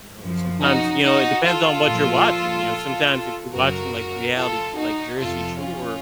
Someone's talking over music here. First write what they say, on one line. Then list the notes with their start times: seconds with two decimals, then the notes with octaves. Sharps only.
you know? Sometimes, you know it depends on what you're watching, you know, sometimes, if you're watching, like, reality t like, Jersey Shore,
0.20 F#2 F3
0.61 D#4 F#4
1.03 D#4 F#4
1.44 F4 A4
1.86 A#2 F3
3.52 F#2 C#3 F#3 F#4 A#4
4.35 F4 A4
4.76 D#4 F#4
5.18 F2 C3 F3 F4 A4
5.60 C#4 F4